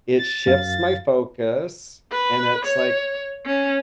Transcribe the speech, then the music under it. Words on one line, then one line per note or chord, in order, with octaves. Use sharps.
it shifts my focus, and it's, like,
A6
F#2 F5
B4
C#5
C#4